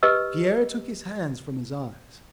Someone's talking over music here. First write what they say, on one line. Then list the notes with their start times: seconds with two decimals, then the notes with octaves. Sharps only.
Pierre took his hands from his eyes.
0.03 G4 B4 D#5 E6